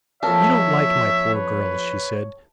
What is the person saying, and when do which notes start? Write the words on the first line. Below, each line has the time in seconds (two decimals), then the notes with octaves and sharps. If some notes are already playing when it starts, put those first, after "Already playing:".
"You don't like my poor girls," she said.
0.23 F2 A#3 C#5 E5 A5
1.34 B4